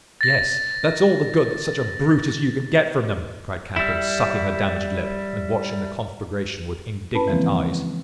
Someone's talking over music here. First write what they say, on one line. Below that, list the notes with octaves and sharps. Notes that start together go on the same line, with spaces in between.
'Yes that's all the good that such a brute as you can get from them!' cried Catherine, sucking her damaged lip, and watching the conflagration with indignant eyes.
A6 A#6
G3 E4
C#4 E4 B4 A5 B5
C#3 E3 F3 G#3 A#3 C4